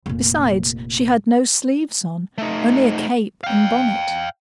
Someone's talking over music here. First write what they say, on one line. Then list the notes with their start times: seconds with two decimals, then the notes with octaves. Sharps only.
Besides, she had no sleeves on,--only a cape and bonnet.
0.06 F1 A#2
2.38 A3 D#4
3.44 F5 G5